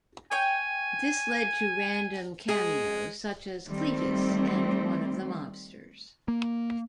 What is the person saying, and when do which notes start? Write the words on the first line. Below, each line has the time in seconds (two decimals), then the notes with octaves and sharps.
This led to random cameos such as Cletus and one of the mobsters.
0.32 C#5 G5 G#5
2.49 G#3 G#4
3.66 D#3 G3 A3 C4
6.28 A#3